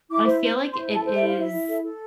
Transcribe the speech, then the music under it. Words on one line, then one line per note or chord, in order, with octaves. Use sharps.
I feel like it is
E4 D6
C5
C5
C5
E4 C6
A4
A5
C5
E5
E4
F5
E4 E5
E4
A4
A4